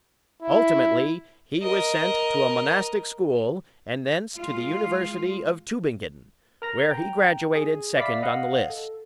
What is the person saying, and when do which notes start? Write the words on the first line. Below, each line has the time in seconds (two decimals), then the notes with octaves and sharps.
Ultimately he was sent to a monastic school and thence to the University of Tuebingen, where he graduated second on the list.
0.42 E4
1.63 A#4 D#5
4.37 G#3 F4
6.62 A#4 A#5 A#6
6.91 G5 A#5
7.55 G#4
7.98 D5 E5 F5 B5 D6 B6
8.22 D#5 F5 F#5
8.70 A4